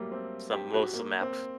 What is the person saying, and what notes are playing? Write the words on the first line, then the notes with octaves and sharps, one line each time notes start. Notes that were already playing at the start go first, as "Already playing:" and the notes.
some most of map f
Already playing: F#3 G3 A3 A#3
C4
G4
F#4
A#3
C4